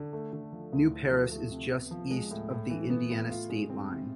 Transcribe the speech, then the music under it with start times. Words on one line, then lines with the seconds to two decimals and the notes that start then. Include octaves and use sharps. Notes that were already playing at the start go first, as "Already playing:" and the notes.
New Paris is just east of the Indiana state line.
Already playing: D3
0.13 A3
0.33 D3
0.52 F3
0.72 D2
0.92 E4
1.11 F3
1.31 A3
1.51 C3
1.71 B3
1.91 F3
2.11 G#3
2.31 A2
2.50 A2
2.70 E3
2.90 B3
3.10 A2
3.30 F4
3.50 G#3
3.70 C4
3.89 C3